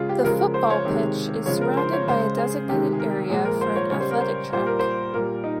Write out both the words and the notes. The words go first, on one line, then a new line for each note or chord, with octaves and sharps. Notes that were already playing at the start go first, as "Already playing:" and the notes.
The football pitch is surrounded by a designated area for an athletic track.
Already playing: C#3 G#3 F4 G#4
G4
C#3 F3 G#3 A#4
A#4
C5
C#5
C3 D#3 G#3
C#3 F3 G#3 C#5
A#4
C5
C#5
C#3 G#3 C5
G#4
C3 D#3 G#3 G4
G#4
A#4
A#2 F3 G#3 G#4
A#4
C5
C#5
C#3 G3 C#5
C5
A#4
C5
A#2 G3 C5
A#4
C5
A#2 G3 A#4
D#4